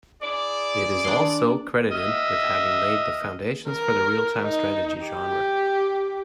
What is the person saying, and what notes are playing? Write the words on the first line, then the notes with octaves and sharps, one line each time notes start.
It is also credited with having laid the foundations for the real-time strategy genre.
E4 G#4 D5
D4 C6
D#5 E5 F6
A#4
D#4
G4